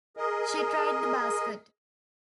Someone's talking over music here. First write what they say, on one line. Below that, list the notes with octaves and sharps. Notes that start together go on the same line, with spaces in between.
She tried the basket.
G#4 A#4 D#5